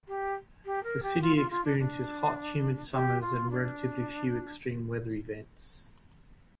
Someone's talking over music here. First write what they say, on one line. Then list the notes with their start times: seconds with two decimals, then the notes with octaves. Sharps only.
The city experiences hot, humid summers and relatively few extreme weather events.
0.08 G4
0.65 G4
0.83 A#4
1.02 G4
1.22 F4
1.36 F4
1.50 F4
1.65 D4
1.79 D4
2.93 G4
3.21 F4
3.50 D4